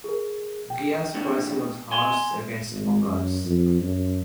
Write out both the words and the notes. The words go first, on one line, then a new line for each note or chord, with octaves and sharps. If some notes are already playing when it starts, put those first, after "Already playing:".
Ghiyas's policy was harsh against Mongols.
G#4 A#4
G5
D#2 A2 D3
G#5 C6 G#6
G#1
F#2
F2
F#2